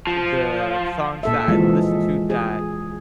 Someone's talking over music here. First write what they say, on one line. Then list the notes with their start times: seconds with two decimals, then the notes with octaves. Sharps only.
The songs that I listen to that
0.07 F3
1.23 A#2 A4 E5
1.48 E3 F3 G#3
2.30 G#4